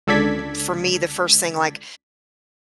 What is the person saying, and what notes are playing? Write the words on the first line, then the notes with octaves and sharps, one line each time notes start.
u m for me the first thing, like,
C#2 D3 A4 D5 G#6 B6